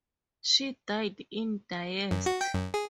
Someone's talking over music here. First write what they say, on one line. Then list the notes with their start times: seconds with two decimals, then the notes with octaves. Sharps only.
She died in Diest.
2.11 F#2
2.26 F#4
2.41 G5
2.54 F#2
2.74 G#4